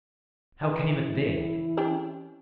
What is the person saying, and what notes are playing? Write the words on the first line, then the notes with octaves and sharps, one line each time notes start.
"How came it there?"
E3
C4 C#4 G4